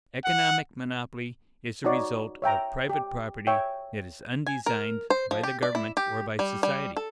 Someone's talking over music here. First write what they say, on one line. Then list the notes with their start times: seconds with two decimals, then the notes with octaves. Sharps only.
Economic monopoly is a result of private property that is undesigned by the government or by society.
0.25 F#5
1.84 D#4 F#4 C#5 D5
2.42 C#5 E5 G5 A#5
2.89 G4
3.47 C#5 E5 G5
4.47 G#5
4.66 A#4
5.10 C5
5.31 F3
5.43 G4
5.63 D5
5.75 E4
5.97 G4
6.39 G3
6.63 G3
6.97 A4